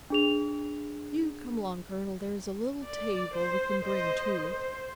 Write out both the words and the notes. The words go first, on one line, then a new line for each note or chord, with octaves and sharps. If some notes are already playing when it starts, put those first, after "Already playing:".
You come along, Colonel--there's a little table we can bring, too.
D4 G#4 F7
D5
C5
C5 D#5
C5